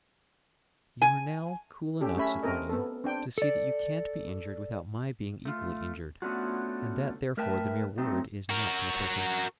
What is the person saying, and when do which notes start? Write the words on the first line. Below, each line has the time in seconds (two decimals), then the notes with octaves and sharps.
'You are now cool enough, Sophronia, to see that you can't be injured without my being equally injured; and that therefore the mere word is not to the purpose.
1.02 G#5
2.01 C#4 G4 A4
2.17 A3 C#4 C#5 E5 B5
2.43 C4 A4 A#4 D#5
2.69 B3 A4
3.04 C4 D4 G5
3.38 A4 D5
5.45 A3 F4
6.22 A3 B3 C#4 D4 F4 F#4
7.37 A3 A#4 B4 E5 G5 A5
7.98 F#3 A3 C4 D#4
8.50 F#4 A#4